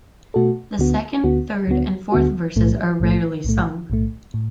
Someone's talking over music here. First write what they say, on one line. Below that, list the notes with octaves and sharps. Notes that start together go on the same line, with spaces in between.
The second, third and fourth verses are rarely sung.
B2 A3 F#4 A4
D2 D3 B3 F#4
D2 D3 B3 F#4
D2 D3 B3 F#4
D2 D3 B3 F#4
B1 A2 A3
B1 A2 A3
B1 A2 A3
B1 A2 A3
A2